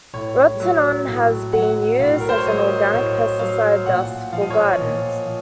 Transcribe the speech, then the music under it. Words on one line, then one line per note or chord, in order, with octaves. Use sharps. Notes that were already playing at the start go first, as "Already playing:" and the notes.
Rotenone has been used as an organic pesticide dust for gardens.
A2 C#5
F#3
A2
F#3 F#5
A2 F5
A#4
C5
C#5
F#3 D#5
A2 C#5
F#3 F5
A#2 F#5
F3 F5
D#5
C#5
D#5
A#2
F3